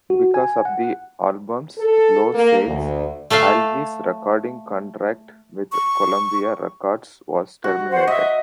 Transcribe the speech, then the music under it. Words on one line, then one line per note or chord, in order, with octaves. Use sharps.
Because of the album's low sales, Alvin's recording contract with Columbia Records was terminated.
F#4
G#5
F#5
A4
A#3
D2
A3 A4 E5 F5
C#6
F#4
C5 F#5
D#5 E5